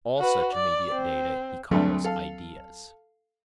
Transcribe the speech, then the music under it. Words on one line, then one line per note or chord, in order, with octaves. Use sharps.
All such immediate data he calls 'ideas'.
F#4 B4
D5
C4
D2 G2 F#3 A3 C4
A4 F5